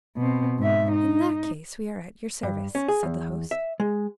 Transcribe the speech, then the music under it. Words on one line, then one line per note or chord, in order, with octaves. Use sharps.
"In that case, we are at your service," said the host.
B2 C4
G#2 E5
D#4
G2
C#4
G#4
E2
E5
G#3